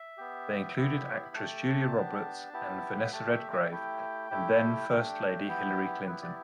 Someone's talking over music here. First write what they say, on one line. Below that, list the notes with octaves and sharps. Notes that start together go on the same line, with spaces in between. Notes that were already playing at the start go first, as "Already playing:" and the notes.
They included actresses Julia Roberts and Vanessa Redgrave and then-First Lady Hillary Clinton.
Already playing: E5
B3 G4
B3 E4 G4
B5
A3 G4 A5
B3 D4 G4
B3 E4 G4
B5
A3 G4 A5
E5
E5
E5
A3 E4 G4 G5
A3 E4 G4
A3 D4 G4
B3 E4 G4
B3 E4 G4 B4
D5